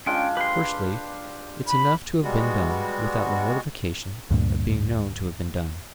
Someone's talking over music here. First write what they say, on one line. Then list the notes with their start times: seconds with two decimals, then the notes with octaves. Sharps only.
Firstly, it's enough to have been done, without the mortification of being known to have been done.
0.06 G#3 C#4 D4 F4 G5
0.37 G4 B4 C6
1.68 B5
2.23 G3 G#3 B3 F#4
4.30 D2 G2 A#2